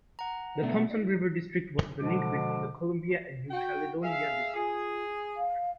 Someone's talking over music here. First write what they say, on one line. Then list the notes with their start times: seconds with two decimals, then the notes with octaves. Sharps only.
The Thompson River District was the link between the Columbia and New Caledonia Districts.
0.19 F#5 A#5
0.62 B2 A3 D4
1.99 B2 D3 F3 G#3 D4 D6
3.51 F#4 G5
4.03 G#4 E5 F5
4.54 F4 G#4
5.37 F5